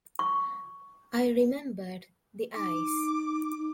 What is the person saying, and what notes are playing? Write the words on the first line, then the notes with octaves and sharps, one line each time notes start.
I remembered the eyes.
C#6
D#4 D6
D#4